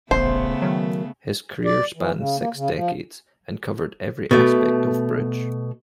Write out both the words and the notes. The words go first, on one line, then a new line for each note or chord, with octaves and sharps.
His career spanned six decades and covered every aspect of bridge.
D#1 A1 C#3 A3 B3 C5
D#3 F#3
D5
E3
C#3
A#3
C#3
F3
B2 A3